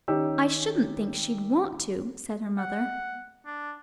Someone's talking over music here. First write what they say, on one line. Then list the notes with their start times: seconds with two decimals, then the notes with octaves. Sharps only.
"I shouldn't think she'd want to," said her mother.
0.08 D#3 C#4 D#4 G4 E6
2.58 F#5
3.46 D4